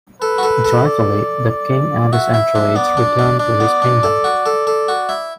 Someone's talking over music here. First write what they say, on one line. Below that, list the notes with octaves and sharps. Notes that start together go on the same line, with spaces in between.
Joyfully, the king and his entourage return to his kingdom.
A4 B4
F#4
A4
A4
D5
D5
F#4 E5
E4
D4
B3 D5
D4
D4
D4 D5
B3
D4
A4
F#4
A4
A4
F#4
E4